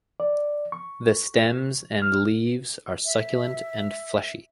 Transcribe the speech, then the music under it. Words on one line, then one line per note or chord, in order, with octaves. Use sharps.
The stems and leaves are succulent and fleshy.
D5
C#6
F6
E5